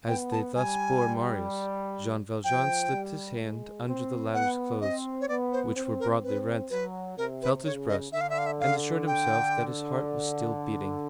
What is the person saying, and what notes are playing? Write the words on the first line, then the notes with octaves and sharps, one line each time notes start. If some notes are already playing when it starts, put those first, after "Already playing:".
As they thus bore Marius, Jean Valjean slipped his hand under the latter's clothes, which were broadly rent, felt his breast, and assured himself that his heart was still beating.
B3 G5
A5
G3 G#5
F3 G5
G3
G#3
C4
B3 F#5
C4 D#5
C#5
B3 D5
C5
C4 C5
A#4
C4 B4
F#3 B4
C3 A#4
B4
C#3 C#5
D#5
D3 E5
F5
E5
F5
E5
F5
G5